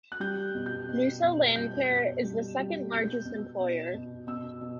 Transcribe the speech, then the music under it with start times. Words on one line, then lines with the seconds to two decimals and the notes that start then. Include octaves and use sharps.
Noosa Landcare is the second largest employer.
0.12 F#6
0.20 G3 G6
0.55 B2
0.66 G6
0.89 B2
1.22 B2
1.56 G3 G6
1.90 B2
2.24 G3
2.59 G3
2.91 B2 G6
3.25 B2
3.59 B2
3.94 B2
4.27 B2 E6
4.61 B2